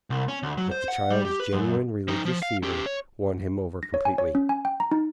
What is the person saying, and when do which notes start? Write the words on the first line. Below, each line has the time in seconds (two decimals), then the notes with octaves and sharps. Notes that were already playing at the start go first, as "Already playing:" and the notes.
But the child's genuine religious fervor won him over completely.
0.10 C2
0.28 C#4
0.43 D2
0.58 F#3
0.71 C5
0.88 F#5
1.10 G3
1.25 G4
1.40 B4
1.53 F#2
2.08 F3 D#4
2.25 F3
2.43 F5
2.63 C#4 G4
2.86 C#5
3.83 A#6
3.94 C#5
4.05 G#5
4.18 C#5
4.35 C#4
4.49 G#5
4.65 G5
4.80 A#5
4.92 D#4